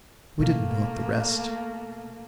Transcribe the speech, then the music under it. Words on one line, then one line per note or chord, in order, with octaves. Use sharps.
We didn't want the rest.'
B2 A3 A#3